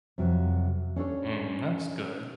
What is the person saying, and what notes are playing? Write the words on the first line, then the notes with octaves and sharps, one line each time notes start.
Mm, that's good.
F2 C3 F#3
C#4 D4 A4 C#5